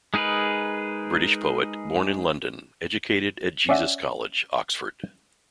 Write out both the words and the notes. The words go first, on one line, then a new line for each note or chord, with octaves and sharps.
British poet, born in London, educated at Jesus College, Oxford.
G#3 D#4 G#4 A#4 B4
C#4 D5 E5 F#5